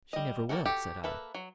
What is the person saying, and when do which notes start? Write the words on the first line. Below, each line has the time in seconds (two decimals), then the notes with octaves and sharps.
"She never will," said I.
0.13 G3 D#5
0.49 G3 A#3 C4 F#4 A4
0.66 F#4 G4 A4
1.04 A#3 A4 B4 E5
1.35 F#3